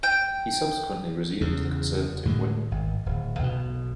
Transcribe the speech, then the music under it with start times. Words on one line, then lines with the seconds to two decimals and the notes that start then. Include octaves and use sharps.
He subsequently resumed the Conservative Whip.
0.03 G5
1.41 E2 C#3
2.25 A2 D3 D#3 G#3
2.71 G#1
3.06 D1
3.39 B1 B2